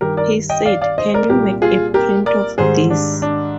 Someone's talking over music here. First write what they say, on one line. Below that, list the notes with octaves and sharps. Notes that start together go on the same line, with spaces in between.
He said, 'Can you make a print of these?
G2 D#3 G3 G4 A#4
A#4 D5
D#5 G5
D5 F5
D5 F5
C5 D#5
A#4 D5
C2 A#2 G3 G4 A#4
F4 G#4
G4 A#4
A#4 D5
G#2 D#3 G3 G#4 C5
D4
D4